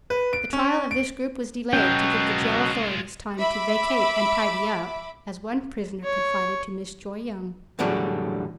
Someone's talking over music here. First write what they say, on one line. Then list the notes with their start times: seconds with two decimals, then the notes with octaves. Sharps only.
The trial of this group was delayed to give the jail authorities time to "vacate and tidy up," as one prisoner confided to Miss Joy Young.
0.10 B4
0.33 D7
0.53 C#4
0.91 D7
1.73 B2 F#3 G#3 C#4 F4 G5
3.38 E5 B5 D6
6.04 C#5
7.79 E2 A2 D3 F#3 G3 D4